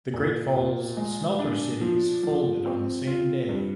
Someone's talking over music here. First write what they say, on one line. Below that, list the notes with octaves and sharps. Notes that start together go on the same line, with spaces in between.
The Great Falls Smelter Cities folded on the same day.
A#2
A#2
G#3
D4
F3
F3
C4
F4
G2